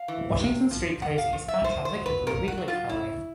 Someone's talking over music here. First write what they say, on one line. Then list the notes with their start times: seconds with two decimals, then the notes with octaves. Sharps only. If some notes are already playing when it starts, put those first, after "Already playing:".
Washington Street carries eastbound traffic and the Louis Glick Highway.
Already playing: F5
0.08 E3
0.40 C3
0.71 F3
1.02 C3 F#5
1.18 F5
1.33 F3
1.48 E5
1.64 A#2 C5
1.85 C5
1.95 F#3
2.06 B4
2.27 A#2 A#4
2.48 F#4
2.58 F#3
2.68 F4
2.89 C#3 E4